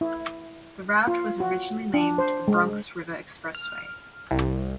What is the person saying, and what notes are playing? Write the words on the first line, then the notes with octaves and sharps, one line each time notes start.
The route was originally named the Bronx River Expressway.
E4
F4
F#4
D4
C5
G#3
F6
C2